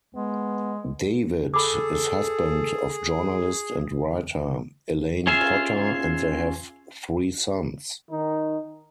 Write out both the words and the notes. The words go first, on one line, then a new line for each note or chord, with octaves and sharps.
David is husband of journalist and writer, Elaine Potter and they have three sons.
G#3 B3
G#4 A4 B5 D6
C#4 F4 G#4 E5 F5
D#3 D#4